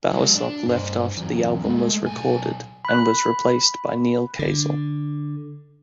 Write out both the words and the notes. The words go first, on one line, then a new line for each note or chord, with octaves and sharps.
Bowersock left after the album was recorded, and was replaced by Neal Casal.
F#3 G#3
D4
G2 C5
E2 F#3
G#3 A3
B1 G#5
B5 F#6
D3